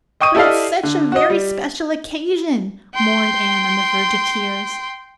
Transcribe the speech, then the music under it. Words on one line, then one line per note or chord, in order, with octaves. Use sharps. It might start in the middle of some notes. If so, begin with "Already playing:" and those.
"But it's such a very special occasion," mourned Anne, on the verge of tears.
D#5 G5 C#6 D#6 D#7
E4 G4 A4 D5 D#5 F5
D3
F#4 D#5
G3
G5 C6